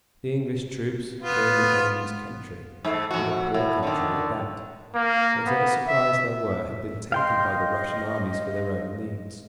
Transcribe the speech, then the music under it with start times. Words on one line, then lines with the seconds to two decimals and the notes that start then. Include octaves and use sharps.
The English troops were in an enemy's country, and a poor country at that; whatever supplies there were had been taken by the Russian armies for their own needs.
1.21 B3 F4
2.85 G#2 A3
3.11 F2 F#4
3.54 A2
3.83 D3 D#3
4.95 A#3
5.46 B3
5.88 E5
7.12 D#5 F5 G5 C6